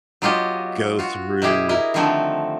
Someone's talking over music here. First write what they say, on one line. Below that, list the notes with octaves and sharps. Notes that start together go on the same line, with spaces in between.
go through
F#3 B3 F4 G4 D#5
F4 F#4
B2 E4 G4 G#4
E4 A#4 D#5
D3 D#3 F3 A3 C4